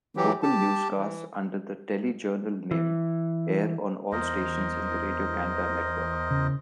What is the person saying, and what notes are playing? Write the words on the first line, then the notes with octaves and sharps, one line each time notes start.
Local newscasts under the "Téléjournal" name air on all stations in the Radio-Canada network.
E3 F#3 G4
G4 A5
E3
E3
E2 A#4 C5 D#5
C#3